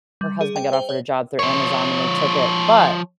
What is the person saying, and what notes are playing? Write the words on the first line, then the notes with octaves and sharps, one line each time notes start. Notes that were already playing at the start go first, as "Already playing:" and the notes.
her husband got offered a job through Amazon and they took it, but
G3
G#4
G5
C5
C#5
F3 C#5